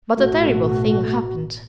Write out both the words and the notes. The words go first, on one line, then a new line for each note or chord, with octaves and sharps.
But a terrible thing happened!
A1 B2 A3 F#4